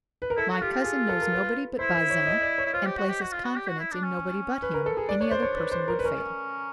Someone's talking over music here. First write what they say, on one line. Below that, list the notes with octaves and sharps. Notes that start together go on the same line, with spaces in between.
My cousin knows nobody but Bazin, and places confidence in nobody but him; any other person would fail.
B4
A#4
E4 A4
F#4
F4 G4
F4
G#4
A4
A#4
B4
E4 C5
C5
C#5
D#5
D5
C#5
E4
F4 C5
G4
F#4
G4
F#4
F4
F#4
G4
F#4
E4
D4
C#4
B4
A#4
A4
G#4
D4 D5
C#5
C5
C#5
B4
C5
A#4
B4
C#4 A#4